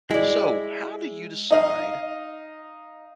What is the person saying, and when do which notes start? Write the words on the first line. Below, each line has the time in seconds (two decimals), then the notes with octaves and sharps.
So, how do you decide
0.11 G#3 E4 D5
1.50 D#4 D#5 F5